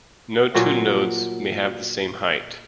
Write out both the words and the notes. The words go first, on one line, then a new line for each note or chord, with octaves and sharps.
No two nodes may have the same height.
A#2 F#3 F4 F#4